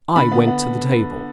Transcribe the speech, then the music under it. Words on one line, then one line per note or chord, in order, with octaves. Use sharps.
I went to the table.
D3 B5
B3
B3